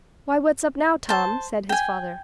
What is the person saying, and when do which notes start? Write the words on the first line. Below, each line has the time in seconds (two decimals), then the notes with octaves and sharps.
"Why, what's up now, Tom?" said his father.
1.09 C5 A5
1.69 G5 G#5